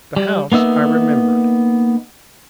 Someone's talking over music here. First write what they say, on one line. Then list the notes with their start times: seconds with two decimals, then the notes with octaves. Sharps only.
The house I remembered.
0.16 G3
0.52 A#3 B3 D#4 E5